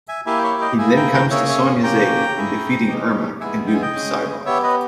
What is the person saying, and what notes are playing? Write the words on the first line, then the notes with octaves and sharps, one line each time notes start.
He then comes to Sonya's aid in defeating Ermac and Noob Saibot.
E5 G#5
A#3 E4 G4 E5 G#5
G5
C#5 E5
E5
D#5 G5
A#3 E4 G#4 E5 G#5
G5 A#5
G5 A#5
A#3 C#4 G#4 C#5 E5
C#5 E5
A#3 C#4 G4 G5 A#5
C#4 E4 G#4
G#3 D#4 G4
G#3 B3 E4 G#4 E5 G#5
G5
G#5
D#5 G5
G#3 C#4 G#4
B3 G4 C#5 E5
B4 D#5